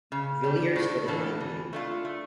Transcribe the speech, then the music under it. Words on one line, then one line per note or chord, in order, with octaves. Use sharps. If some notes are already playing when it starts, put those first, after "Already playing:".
Villiers for the time being.
C#3
G3 D4
A2
E3 A#3 D4 A4
E3
A3 D4 F4
A3